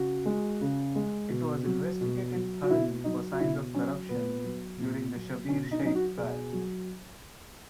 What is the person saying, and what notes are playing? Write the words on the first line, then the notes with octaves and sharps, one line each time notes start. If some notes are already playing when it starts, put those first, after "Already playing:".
It was investigated thoroughly for signs of corruption during the Schabir Shaik Trial.
Already playing: C#3 F#4
G#3
C#3
G#3
B2
F#3
B2
F#3
F#4
B2 E4
F#3 D#4
F#4
B2 E4
F#3 C#4
A#2 B3
F#3
A#2
F#3
B2 C#4
D#4
C#4
F#3 D#4
F#4
B2 G#4
F#3